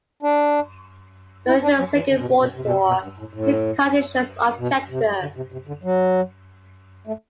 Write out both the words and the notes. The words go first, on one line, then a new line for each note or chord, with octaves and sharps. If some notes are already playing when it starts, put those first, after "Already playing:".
During the Second World War, he was a conscientious objector.
D4
E4
D4
F#3
E3
D3
B2
C3
B2
C3
B2
C3
B2
G2
A2
A2
B2
C3
D3
C3
C3
D3
F#3
A3